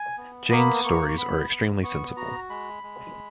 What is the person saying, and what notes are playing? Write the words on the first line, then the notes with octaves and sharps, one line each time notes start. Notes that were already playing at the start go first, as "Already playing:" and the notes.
Jane’s stories are extremely sensible.
Already playing: G#5
B3
A#3 B5
A#3 C#6
C#6
B3 B5
B3
B3 C#6
F#4 A#5
G#3 B5
G#3